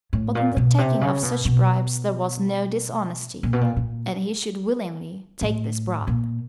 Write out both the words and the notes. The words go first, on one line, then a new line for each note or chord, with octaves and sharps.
But in the taking of such bribes there was no dishonesty, and he should willingly take this bribe.
A2
A#2
B2
C3
C#3
B2
B2
A#2
B2
A#2
A#2
A2
A#2